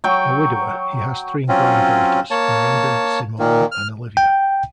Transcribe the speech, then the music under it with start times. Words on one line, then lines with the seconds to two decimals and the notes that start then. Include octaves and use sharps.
A widower, he has three grown daughters, Miranda, Simone and Olivia.
0.04 F#3 G5 C#6
1.49 F#3 C4 C#4 F4
2.31 A#3 C#5 A5
3.39 A#2 D#3 A#3
3.72 F6
4.17 G5